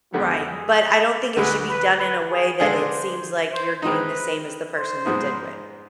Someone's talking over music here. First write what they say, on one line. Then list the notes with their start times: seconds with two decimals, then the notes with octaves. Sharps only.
Right, but I don't think it should be done in a way that it seems like you're getting the same as the person that did win.
0.14 F2 D3 G#3 B3 G4
0.44 G#4
1.36 D2 D3 G#3 B4
1.68 B4
1.98 B4
2.30 G#4
2.60 D3 G#3 D4 G#4 C5
3.52 C5
3.82 D#3 G#3 C4 D#4 B4
4.75 C5
5.05 G#2 F3 G#3 B3 D#4